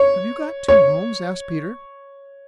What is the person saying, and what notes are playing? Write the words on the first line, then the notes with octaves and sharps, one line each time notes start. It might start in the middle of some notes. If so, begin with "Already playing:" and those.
"Have you got two homes?" asked Peter.
Already playing: C#5
C#5